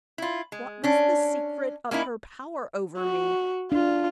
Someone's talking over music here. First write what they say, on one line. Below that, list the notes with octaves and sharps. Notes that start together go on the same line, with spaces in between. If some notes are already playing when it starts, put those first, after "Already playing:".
What was the secret of her power over me?
E4 F4
G#3
C#4 D4
A#3 C#4 D#4 E4
F#4
D4 F4